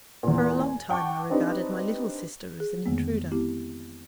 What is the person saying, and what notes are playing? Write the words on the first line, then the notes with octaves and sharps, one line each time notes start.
For a long time I regarded my little sister as an intruder.
E2 A#2
G#5
F#5 G5 A5 C#6 D6
C4 D4 D#4 G4 B4 C5
G#4
F2 D3 D#3 G#3 A#3 B3
G#3 B3 C4 E4 G4